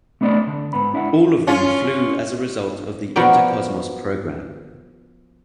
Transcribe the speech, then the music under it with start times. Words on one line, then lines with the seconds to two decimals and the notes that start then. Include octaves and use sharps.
All of them flew as a result of the Intercosmos program.
0.21 A3 B3 D4 D5 D#5
0.47 D3
0.73 G#2 B3 B5
0.94 D4 E4 E5 F#5
1.47 C#4 F4
3.16 F3 A#3 B3 F#4 A#4 D5